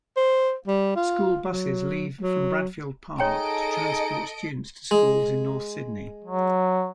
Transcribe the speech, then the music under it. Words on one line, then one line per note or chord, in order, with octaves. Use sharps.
School Buses leave from Bradfield Park to transport students to schools in North Sydney.
C5
G3
F4
F#3
F#3
D#4 G#4 A4 C#5 D#5 G5 A#5 D7
G#3
F#3